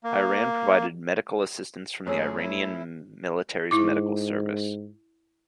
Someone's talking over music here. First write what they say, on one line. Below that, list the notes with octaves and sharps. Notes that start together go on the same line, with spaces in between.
Iran provided medical assistance from the Iranian military's medical service.
A#3
F#2 A3 G#4 C5 C#5 E6
E4
G#2 E4 D6